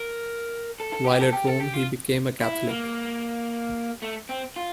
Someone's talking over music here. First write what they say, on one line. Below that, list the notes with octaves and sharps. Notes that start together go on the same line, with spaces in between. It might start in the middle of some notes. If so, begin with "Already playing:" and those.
While at Rome he became a Catholic.
Already playing: A#4
A4
A4
G4
A4
G4
A4
G4
F4
E4
A#3
A3
C4
F4